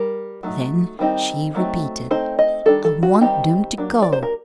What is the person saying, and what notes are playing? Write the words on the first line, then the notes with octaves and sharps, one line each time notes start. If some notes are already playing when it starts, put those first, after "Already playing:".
Then she repeated: "I want them to go!"
Already playing: G3 A#4
F#3 A3 D#4
D#3 G3 C4 D#4
F#3 A3 C4 D#4
A3 C4 D#4 C5
D#5
D#3 G3 D4 A4
A4
F#4
D#3 G3 C4 D#4 G4
F#3 A#3 D4
D5
C5
A#4